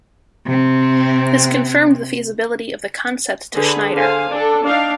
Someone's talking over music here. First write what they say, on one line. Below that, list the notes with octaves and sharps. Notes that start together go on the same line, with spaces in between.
This confirmed the feasibility of the concept to Schneider.
C3 C4
D3 G#4 B4
D3 C5 F5 G#5
D4 A4
D4 D#4 F5